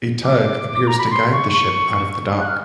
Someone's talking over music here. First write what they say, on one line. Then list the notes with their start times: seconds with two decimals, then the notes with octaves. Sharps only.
A tug appears to guide the ship out of the dock.
0.24 D6
0.87 A#5
0.98 B5
1.10 C6
1.32 C#6
1.53 C#6
2.40 F#6
2.48 F6